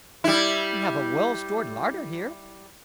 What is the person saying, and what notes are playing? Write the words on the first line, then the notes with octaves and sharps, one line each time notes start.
We have a well-stored larder here.
G3 E4